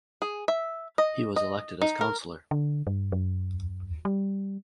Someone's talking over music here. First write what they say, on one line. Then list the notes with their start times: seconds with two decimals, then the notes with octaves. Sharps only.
He was elected as councilor.
0.22 G#4
0.48 E5
0.98 D#5
1.36 D#5
1.82 D#4
2.01 A#4
2.51 D3
2.87 G2
3.12 F#2
4.05 G3